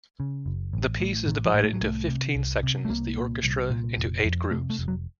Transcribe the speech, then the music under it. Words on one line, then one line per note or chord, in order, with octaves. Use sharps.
The piece is divided into fifteen sections, the orchestra into eight groups.
C#3
F#1
A1
A2
A1 D#3
F3
A2
A3
F#3
C2 A3
C3
C2
C3
A3
C2 A#3
A#2
C2
A#2
F1
F2
C3 A3
A3
F1
F#3